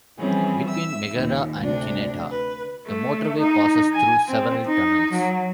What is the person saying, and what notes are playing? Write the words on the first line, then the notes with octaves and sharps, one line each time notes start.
Between Megara and Kineta the motorway passes through several tunnels.
E3 F3 G3 C4 C#4 G#4
E5 E6
D#2 A#2
D2 C3 D4
B4
A3
D#4
G#5
C4
D#4
F#3